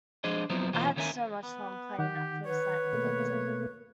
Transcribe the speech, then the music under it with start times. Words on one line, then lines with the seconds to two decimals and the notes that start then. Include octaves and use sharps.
I had so much fun playing that first night with Clifton.
0.24 F3 G#3 D4 G#4 C5 D#5
0.50 F#2 F3 F#3 B3 C4 E4
0.73 E2 B2 E3 A#3 F4 C5
0.96 D#2 D#3 C#4 A#4 E5 G#5
1.43 B3
1.99 D#3 G4 F#5
2.45 B4 C#5
2.93 B2 A3 A#3